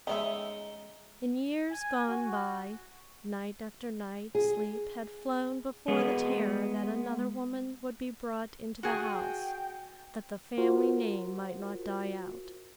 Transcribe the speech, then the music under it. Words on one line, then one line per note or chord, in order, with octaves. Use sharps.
In years gone by, night after night sleep had flown before the terror that another woman would be brought into the house that the family name might not die out.
G#3 C#4 D#4 D5 E5
G#5
F#4
G#4
G#3 B3
F#4 G#4 G5
F4 F#4 A#4 C5